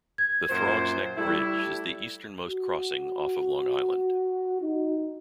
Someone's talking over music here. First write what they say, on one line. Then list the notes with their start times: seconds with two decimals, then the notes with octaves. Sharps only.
The Throgs Neck Bridge is the easternmost crossing off of Long Island.
0.18 G#6
0.49 F#2 A#2 C5
1.16 G3 A3 E4
2.49 F#4
4.62 D#4